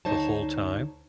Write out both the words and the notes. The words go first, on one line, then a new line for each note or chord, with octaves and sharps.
The whole time?
D2 D#4 C5 C#5 A5